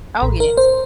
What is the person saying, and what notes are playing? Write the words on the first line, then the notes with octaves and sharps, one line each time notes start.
Oh, yes.
A1
A#4
C5